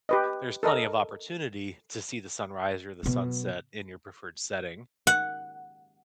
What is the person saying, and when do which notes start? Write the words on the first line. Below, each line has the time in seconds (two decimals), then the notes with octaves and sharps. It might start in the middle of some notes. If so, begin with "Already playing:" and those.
there's plenty of opportunity to see the sunrise or the sunset in your preferred setting,
0.09 G4 B4 D#5
0.63 A4 A#4 D#5
3.03 B2 F#3
5.07 F#5